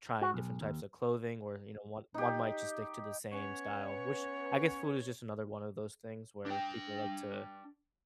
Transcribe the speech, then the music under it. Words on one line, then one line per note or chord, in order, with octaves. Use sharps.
trying different types of clothing where, you know, one one might just stick to the same style, which I guess food is just another one of those things where people like to
F#4
B1
D#2
D#4 G4
B3 C#4 B4 C#5
D4 G5